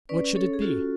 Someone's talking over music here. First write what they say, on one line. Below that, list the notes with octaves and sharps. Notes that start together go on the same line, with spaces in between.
What should it be?
C#4 B4 D5
C#4 A4 C#5
G#4
F4 F#4 A4